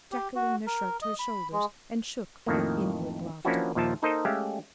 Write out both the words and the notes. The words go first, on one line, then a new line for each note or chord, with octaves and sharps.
Jacquelina shrugged her shoulders, and shook with inward laughter.
G4
F#4
A#4
D#5
B5
G#3
F2 A2 D#3 A3 A#3
F3 A#3 C#4 D4 E4 F#4
D#2 A#2 F3 E5 A5
A#3 D#4 A4 A#4 C5 D#5
G#3 A3 C#4 G4 E5 F5